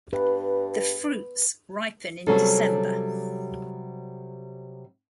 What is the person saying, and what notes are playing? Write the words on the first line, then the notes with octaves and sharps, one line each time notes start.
The fruits ripen in December.
G2 B4
C3 F#3 G3 C#4 G#4 A4